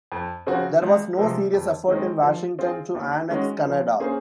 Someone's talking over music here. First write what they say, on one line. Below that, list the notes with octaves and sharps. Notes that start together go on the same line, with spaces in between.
There was no serious effort in Washington to annex Canada.
F2
C#3 F3 C4 F#4
C#2
C3 F3 G#3
F2
D#3 G#3 C4
F3
C4 F4 G#4
D#2
D#3 G#3 C#4 F#4
F3
A#3 C#4 G#4 C5